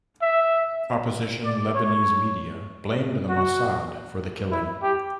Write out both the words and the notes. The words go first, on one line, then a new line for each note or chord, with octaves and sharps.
Opposition Lebanese media blamed the Mossad for the killing.
E5
D5
C#5
F#4
E4
G4